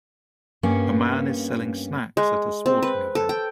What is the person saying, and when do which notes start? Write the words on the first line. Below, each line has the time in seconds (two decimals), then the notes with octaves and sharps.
A man is selling snacks at a sporting event.
0.63 G2 A#3 B3 C#4
2.17 G#3
2.66 C4
2.83 B4
3.15 A4
3.29 G5